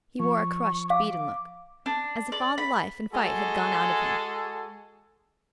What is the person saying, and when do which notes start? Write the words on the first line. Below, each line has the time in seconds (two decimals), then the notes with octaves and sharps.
He wore a crushed, beaten look, as if all the life and fight had gone out of him.
0.20 F3 C#6
0.90 F5 D6
1.86 D4
2.32 D5
2.58 B5
3.13 G#3 F#4 G#4 A4